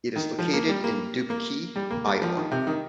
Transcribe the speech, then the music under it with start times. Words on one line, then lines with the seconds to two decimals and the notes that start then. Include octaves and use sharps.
It is located in Dubuque, Iowa.
0.16 D#3
0.39 F3
0.53 A#3
0.69 G3
0.84 A#3
1.30 A#3
1.76 G3
1.91 A#3
2.06 G3
2.22 F3
2.37 D#3
2.51 C3
2.67 D#3